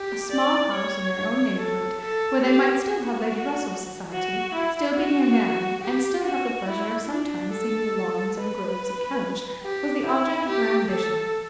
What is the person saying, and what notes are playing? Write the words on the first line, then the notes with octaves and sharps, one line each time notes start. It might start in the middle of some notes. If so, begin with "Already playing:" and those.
A small house in their own neighbourhood, where they might still have Lady Russell's society, still be near Mary, and still have the pleasure of sometimes seeing the lawns and groves of Kellynch, was the object of her ambition.
Already playing: G4
D5
C#5
A4
A4
G4
F#4
F#4
E4
F#4
G4
F#4
E4
D4
A4
B4
G4
E4
G4
A4